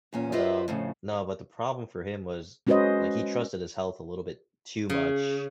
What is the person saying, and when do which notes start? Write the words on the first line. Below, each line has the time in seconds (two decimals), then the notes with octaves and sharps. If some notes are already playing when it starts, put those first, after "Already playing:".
but, um no, but the problem for him was, like, he trusted his health a little bit too much,
0.13 E2 A#2 C#4
0.32 F4 G4 B4 C5 D#5 E5
0.68 F2 A2 C#3
2.67 G#3 C#4 F#4 B4 C5 D#5
4.90 C#3